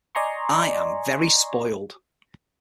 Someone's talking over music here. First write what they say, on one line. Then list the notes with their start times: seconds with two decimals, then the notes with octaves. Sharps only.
I am very spoiled.
0.15 D5 D#5 G#5 A#5 C6 C#6